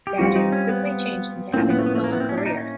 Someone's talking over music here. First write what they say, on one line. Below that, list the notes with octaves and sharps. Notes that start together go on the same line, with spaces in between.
Dadoo quickly changed into having a solo career.
G4
G3 C4 F4 F#4
D#4
C#4
B3
B3
A2 F3 A#3 C4 C#4
B3
A3
B3
A3
A#3
B3
C4
C#4
D4
D#4
C#4